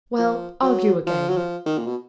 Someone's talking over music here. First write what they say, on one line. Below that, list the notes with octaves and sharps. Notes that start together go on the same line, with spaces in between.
"Well, argue again."
F3
F#3
F3
F#3
F3
D#3
A#2
B2